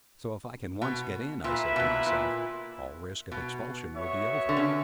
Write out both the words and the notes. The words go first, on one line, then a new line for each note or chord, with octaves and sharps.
"So, if I can once get in," I said to myself, "all risk of expulsion will be over!"
B2
A#2 A#3 E4 B4 E5
B2
A#2
B2
B3 F#4 C#5 E5
D3
C#3